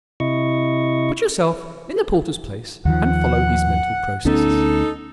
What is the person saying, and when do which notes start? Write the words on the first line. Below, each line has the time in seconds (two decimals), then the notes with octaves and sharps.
Put yourself in the porter's place and follow his mental processes.
0.20 C3 E4 D#5 C#6
2.85 D#2 D#3 F3 F#5
4.25 D2 B3 C#4 D#4 A4